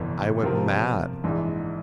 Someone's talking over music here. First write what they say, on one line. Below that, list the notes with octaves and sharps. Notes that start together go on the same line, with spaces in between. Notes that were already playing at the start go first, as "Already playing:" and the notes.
I went mad!
Already playing: G1 F2 C3 E3 G3
C3 F3 C4 G4 A#4
A#1 G#2 E3